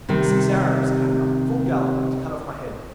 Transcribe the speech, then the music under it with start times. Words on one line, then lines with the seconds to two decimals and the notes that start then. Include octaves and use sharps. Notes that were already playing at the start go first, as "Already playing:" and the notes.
Six Arabs came up, full gallop, to cut off my head.
0.09 C3 D#3 G3